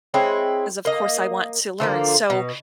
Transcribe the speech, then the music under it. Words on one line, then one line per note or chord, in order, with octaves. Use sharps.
of course, I want to learn, so,
G#3 C4 E4 C#5
A#3 D#5
D3 F3 A#3
B2